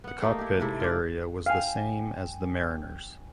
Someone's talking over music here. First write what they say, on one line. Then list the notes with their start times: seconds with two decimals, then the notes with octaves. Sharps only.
The cockpit area was the same as the Mariner's.
0.04 B3 F#5
0.22 A3 A#3 D#4 G4
0.39 E4 G4
0.60 G#2 C3 E4 A4
0.80 F4 D5
1.46 F5 G5 G#5